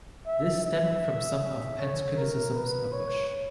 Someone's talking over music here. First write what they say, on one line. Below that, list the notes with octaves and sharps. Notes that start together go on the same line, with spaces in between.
This stemmed from some of Penn's criticisms of Bush.
E5
E5
C#5
A#4
B4
C#5